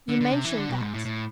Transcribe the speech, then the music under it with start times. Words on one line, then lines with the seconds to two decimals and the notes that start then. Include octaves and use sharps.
You mentioned that.
0.09 D3
0.21 D3
0.33 C3
0.45 E3
0.57 D3
0.70 B2
0.81 G#2
0.94 A2
1.05 A2